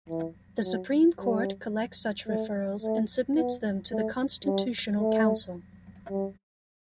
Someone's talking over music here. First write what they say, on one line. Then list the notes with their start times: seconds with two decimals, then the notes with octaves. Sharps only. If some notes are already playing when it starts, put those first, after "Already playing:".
The supreme court collects such referrals and submits them to the Constitutional Council.
0.09 E3
0.64 F#3
1.18 G3
2.27 A3
2.82 A3
3.36 B3
3.91 A3
4.45 G3
5.00 A3
6.09 G3